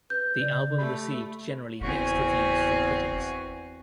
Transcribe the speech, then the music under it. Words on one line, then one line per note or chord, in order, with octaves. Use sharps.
The album received generally mixed reviews from critics.
B4 G6
C#3 D5
A3 G4 B5
F#1 E2 C4 F#4 G#5